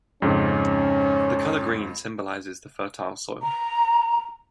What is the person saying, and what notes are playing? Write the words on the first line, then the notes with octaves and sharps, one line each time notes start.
The colour green symbolises the fertile soil.
F2 G#2 C#3 C#4
A#5